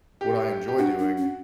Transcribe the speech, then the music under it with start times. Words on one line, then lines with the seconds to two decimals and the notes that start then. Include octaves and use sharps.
what I enjoy doing,
0.21 G4
0.68 G4
0.78 D4 F#4
0.99 D4
1.18 C#4